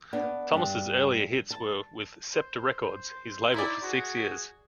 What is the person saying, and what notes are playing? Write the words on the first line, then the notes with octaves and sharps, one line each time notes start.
Thomas's earlier hits were with Scepter Records, his label for six years.
B3 D4
G2
A5
C5
D#4 E4 D5
D4 F#4 G#4